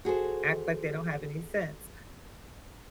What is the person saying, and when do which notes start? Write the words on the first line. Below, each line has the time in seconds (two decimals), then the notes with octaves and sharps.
act like they don't have any sense.
0.05 F#4 G#4 A4 C5